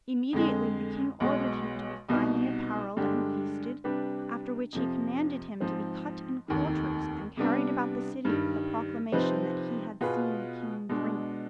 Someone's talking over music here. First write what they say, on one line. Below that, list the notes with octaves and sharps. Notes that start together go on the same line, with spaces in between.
Immediately the king ordered him to be finely apparelled and feasted, after which he commanded him to be cut in quarters, and carried about the city with a proclamation that he had seen the king drink.
F2 D3 G#3
B1 B2 G#3
C2 B2 B3 D#4
G2 D3 G#3 D4 G4
C3 G3 D4 G4 B4
F2 C3 F3
G#2 F3 C4
F1 D#2 D#3
C3 G3 B3 D4
G2 D#3 G3
C3 F3 C4 D#4 B4
B2 B3 F4 G#4 B4
B2 G#3 D4